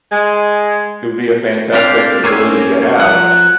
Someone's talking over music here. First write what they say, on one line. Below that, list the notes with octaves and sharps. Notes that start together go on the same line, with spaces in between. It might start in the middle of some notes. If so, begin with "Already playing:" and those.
It would be a fantastic ability to have.
G#3
A#3 C4 D4 G4 F5
A#3 C#4 C5 C#5 E6
F3 F#3 F#5